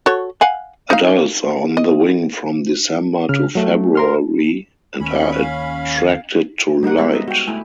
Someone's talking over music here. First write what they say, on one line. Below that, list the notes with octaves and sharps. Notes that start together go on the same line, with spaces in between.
Adults are on the wing from December to February and are attracted to light.
F#4 A4 C#5
F5 F#5 G#5
D#4 F5
D#5
C#3 F6
F#3 A3
A#4 C6 F6
D#2 C#4 B5
F5
G3 D#4 A#4 F#5
G#3 B3 C5 E5
D#5 E5
F#4 G5
A3 E4 G#5